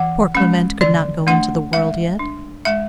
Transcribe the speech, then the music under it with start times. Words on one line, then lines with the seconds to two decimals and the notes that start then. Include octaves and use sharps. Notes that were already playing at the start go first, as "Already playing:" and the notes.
Poor Clement could not go into the world yet.
Already playing: E3 F#5
0.35 G#3 C#4
0.81 D3 D5
1.27 A3 D4 F#5
1.73 G#3 E5
2.19 D4
2.65 G#3 E5